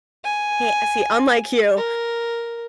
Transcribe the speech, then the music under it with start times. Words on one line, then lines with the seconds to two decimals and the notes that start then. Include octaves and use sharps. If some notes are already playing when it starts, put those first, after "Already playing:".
ha see, unlike you,
0.24 G#5
1.77 A#4